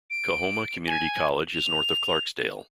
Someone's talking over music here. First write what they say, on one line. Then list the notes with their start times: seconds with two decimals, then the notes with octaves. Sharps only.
Coahoma Community College is north of Clarksdale.
0.10 D7
0.87 G#5
1.54 F7